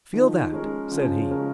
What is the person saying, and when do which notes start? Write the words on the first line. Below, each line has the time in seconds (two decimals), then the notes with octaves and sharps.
"Feel that!" said he.
0.14 D#3 F3
0.52 G#3 C#4 A#4
0.91 C#3 F3
1.31 G#3 C#4 A#4